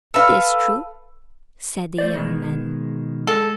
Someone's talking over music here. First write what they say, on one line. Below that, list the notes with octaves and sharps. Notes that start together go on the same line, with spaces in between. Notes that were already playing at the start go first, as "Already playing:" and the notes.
"It is true," said the young man.
A4 B4 F5
A3 C5 D5
B2 D#3 G#3
G#3 A4